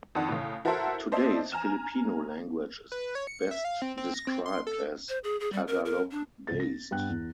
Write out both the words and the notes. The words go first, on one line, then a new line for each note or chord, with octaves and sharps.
Today's Filipino language is best described as "Tagalog-based".
F2 D#3 D4 F#5
A2 C#3
E4 F#4 A4 A#4 C5 E5
D4 C5 D#5 E5 A5
G#5 A#5 F6 E7
B4
C#5
C#7
E5
F5
C4
C4
A#6
C4
C6
A4
C5
G#4
G#4
G3
A#4
A#4
D4
C#2 A6
A#6
G2 B3 G5 F#6
E2